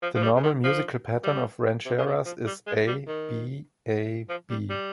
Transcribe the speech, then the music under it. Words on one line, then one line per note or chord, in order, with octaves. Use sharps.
The normal musical pattern of rancheras is a-b-a-b.
F3
F3
G3
C#3
D#3
F3
G3
C3
C#3
C3
F3
G3
G#3
G3
D#3
F3
G3
G3